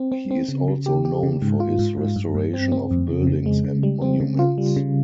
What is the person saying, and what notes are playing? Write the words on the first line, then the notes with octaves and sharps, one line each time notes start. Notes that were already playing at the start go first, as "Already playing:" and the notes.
He is also known for his restoration of buildings and monuments.
Already playing: C4
C4
C4
C#3
C#3
G4
G4
C#3
G#2
F4
G#2
G#2
G2
G2
C4
C4
F2
C#3
C#3
G#3
C#3
G3
C4
C#3
F4
G3
C#3